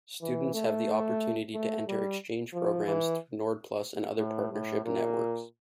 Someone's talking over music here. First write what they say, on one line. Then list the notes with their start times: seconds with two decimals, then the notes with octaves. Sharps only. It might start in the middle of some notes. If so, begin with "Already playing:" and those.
Students have the opportunity to enter exchange programmes through Nordplus and other partnership networks.
0.22 E3
0.54 A3
1.54 A3
1.88 G3
2.54 F3
2.86 E3
4.19 A2
4.52 A2
4.85 A#2